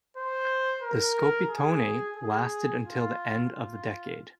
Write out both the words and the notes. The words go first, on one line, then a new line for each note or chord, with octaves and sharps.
The Scopitone lasted until the end of the decade.
C5
A#4
G#4
G#4
F4
F4